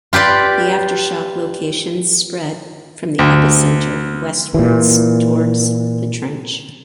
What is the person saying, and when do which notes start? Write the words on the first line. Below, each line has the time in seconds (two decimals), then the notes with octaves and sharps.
The aftershock locations spread from the epicenter westwards towards the trench.
0.13 F4 G4 B4 D5
3.19 D2
4.54 A#2 E3